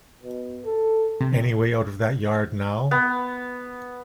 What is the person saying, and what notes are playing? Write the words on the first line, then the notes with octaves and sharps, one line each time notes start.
Any way out of that yard, now?
B2
A4
C3
B3